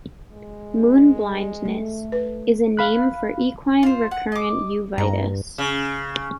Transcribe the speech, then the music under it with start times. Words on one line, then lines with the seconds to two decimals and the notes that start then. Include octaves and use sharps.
"Moon blindness" is a name for equine recurrent uveitis.
0.32 G#3
1.65 A3
2.12 B4
2.77 F5 B5 F#6
3.83 F4 C5
4.11 F#5
4.32 D#5 D6
4.98 G2 A#5
5.58 C#3